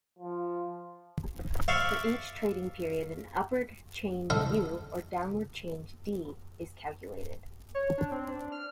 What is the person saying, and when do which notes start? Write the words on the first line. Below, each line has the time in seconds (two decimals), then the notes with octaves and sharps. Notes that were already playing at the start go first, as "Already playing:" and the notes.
For each trading period an upward change "U" or downward change "D" is calculated.
0.19 F3
1.68 C5 D5 E5 F5 C#6
4.30 D#4 E4 A4 D#5 E5
7.75 C#5
7.98 D4
8.12 C4
8.28 D4
8.52 F6